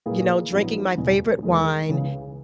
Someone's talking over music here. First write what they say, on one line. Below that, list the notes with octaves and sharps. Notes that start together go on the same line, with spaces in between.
you know, drinking my favorite wine,
A#2 A#3 E4 G#4 B4
A#1 G#2 F#3 B3 E4
F#1 E2 B2
E2 D#3 G#3 D#4 A#4
C#2 C#3 E3